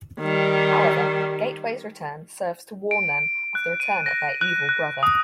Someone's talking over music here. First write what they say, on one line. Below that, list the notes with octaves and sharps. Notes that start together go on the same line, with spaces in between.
However, Gateway's return serves to warn them of the return of their evil brother.
D#3 G3
D7
F#6
D#7
A#6
F#6
F#6
D#6